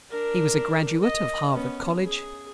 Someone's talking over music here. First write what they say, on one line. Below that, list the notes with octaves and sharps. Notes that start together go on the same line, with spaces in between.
He was a graduate of Harvard college.
D4 A#4
D#5
B3 C#4
G#4